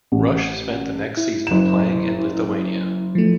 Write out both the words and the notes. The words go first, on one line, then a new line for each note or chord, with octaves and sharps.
Rush spent the next season playing in Lithuania.
A1
E4
F#1 E7
F3 A3